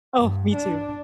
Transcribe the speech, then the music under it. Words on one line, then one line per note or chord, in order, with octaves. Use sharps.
Oh, me too.
G2
D4